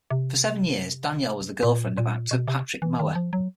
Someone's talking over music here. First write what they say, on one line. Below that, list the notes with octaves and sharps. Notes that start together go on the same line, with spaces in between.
For seven years, Danielle was the girlfriend of the actor Patrick Mower.
C3
A#2
A#2
B2
C3
E3
D#3
F3
F#3